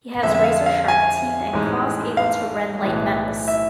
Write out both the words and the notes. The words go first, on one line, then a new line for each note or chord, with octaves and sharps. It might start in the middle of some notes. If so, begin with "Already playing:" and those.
He has razor sharp teeth and claws able to rend light metals.
F2 D3 G#3 E5
E5
F5
F5
G#5
A1 G#2 G#3
F5
B1 A2 E3 G#3
E5